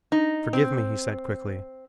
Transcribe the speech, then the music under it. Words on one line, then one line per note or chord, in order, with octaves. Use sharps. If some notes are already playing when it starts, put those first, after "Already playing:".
"Forgive me," he said quickly.
D#4
C4